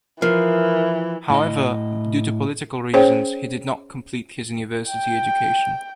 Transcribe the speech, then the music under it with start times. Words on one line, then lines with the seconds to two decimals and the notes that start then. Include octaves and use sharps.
However, due to political reasons he did not complete his university education.
0.22 E3 F3 A#4
1.30 A2 E4 D#5
2.93 C#4 G#4 C5 C#5 G5
4.90 G5